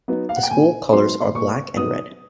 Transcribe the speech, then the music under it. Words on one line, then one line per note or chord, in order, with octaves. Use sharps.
The school colours are black and red.
F#3 B3 D#4
F5
F#5
G5
A#2 G#5
F#3 B3 D#4 C6
A#2 C#6
F#3 B3 D#4 D#6